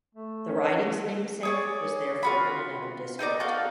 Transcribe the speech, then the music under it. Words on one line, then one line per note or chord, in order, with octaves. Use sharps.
The riding's namesake was therefore in another district.
A3
C#4
G#4 C#5 D5
F4 F#4 B5
D#4 A4 A#4 D5
F#4 A4 A#4 F5